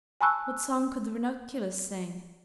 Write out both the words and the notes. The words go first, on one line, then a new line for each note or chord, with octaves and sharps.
What song could the Ranunculus sing?
G#5 A5 B5 C#6 E6 F#6